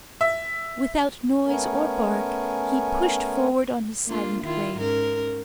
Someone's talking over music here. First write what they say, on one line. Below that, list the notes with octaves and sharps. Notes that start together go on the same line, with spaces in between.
Without noise or bark he pushed forward on his silent way.
E5
A3 B3 C#4 A#4 G#5
A#3 D4 F4
D#3 E4 F4
G#2 C#4 A#4